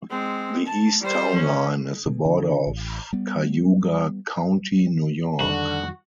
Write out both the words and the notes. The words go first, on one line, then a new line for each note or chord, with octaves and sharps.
The east town line is the border of Cayuga County, New York.
G#3 C4
A5
G3 C5
C#4
B2
D3
A1
G3 B3
F2 D3 D#3 G3 F#4